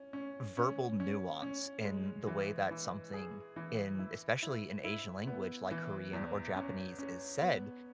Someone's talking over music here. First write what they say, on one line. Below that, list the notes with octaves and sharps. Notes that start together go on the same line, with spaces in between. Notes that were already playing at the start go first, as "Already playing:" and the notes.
verbal nuance in the way that something, in especially in Asian language like Korean or Japanese is said,
Already playing: C#4
C#4
C#4
C#4
C#4
G#3
E3
E3
G#4
E3
E4
E4
E4
B3
E3
E2
C#4
C#4
B3